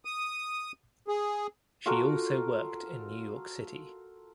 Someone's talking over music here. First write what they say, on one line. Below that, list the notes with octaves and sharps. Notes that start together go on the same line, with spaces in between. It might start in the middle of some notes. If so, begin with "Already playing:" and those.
She also worked in New York City.
D#6
G#4
F4 F#4 A4 A#4